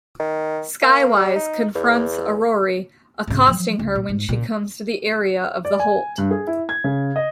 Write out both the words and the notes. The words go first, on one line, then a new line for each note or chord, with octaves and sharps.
Skywise confronts Aroree, accosting her when she comes to the area of the holt.
D#3
A#3
G3
D#4
E2
G#1 C#3
F3 F#3
C#2
A#2
G#2
A#2 C#3
D5
G#5
G2
G#4
E4
G#6
C#3
D#5